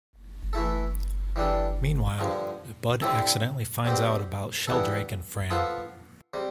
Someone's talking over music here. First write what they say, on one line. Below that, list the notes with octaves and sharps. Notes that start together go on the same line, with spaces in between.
Meanwhile, Bud accidentally finds out about Sheldrake and Fran.
E3 A3 E4 A4
E3 G3 D4 A4
G2 D3 F3
D3 G3 C4 E4 A4
B2 G3 C4 G4
G2 E3 B3 E4 A4
F3 B3 F4 A4
C3 G3